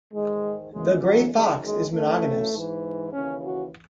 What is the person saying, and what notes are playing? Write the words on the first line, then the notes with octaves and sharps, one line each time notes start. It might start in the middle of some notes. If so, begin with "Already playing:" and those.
The gray fox is monogamous.
G#2 D#3 G#3
F#2 C#3 E3 G#3
F#3
F#2 D#3 G#3
G#3
F#2 C#3 E3 A3
G#2 E3
D#2 C#3 E3 C#4
F#4